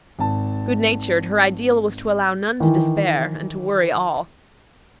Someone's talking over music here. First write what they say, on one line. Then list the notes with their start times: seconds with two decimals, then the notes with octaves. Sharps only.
Good-natured, her ideal was to allow none to despair, and to worry all.
0.19 G#1 A5
2.60 D#3 E3